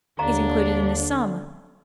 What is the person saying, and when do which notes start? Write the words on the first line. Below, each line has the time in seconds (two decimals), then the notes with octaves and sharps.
"Is included in this sum."
0.19 D#2 D3 D4 F5 A#5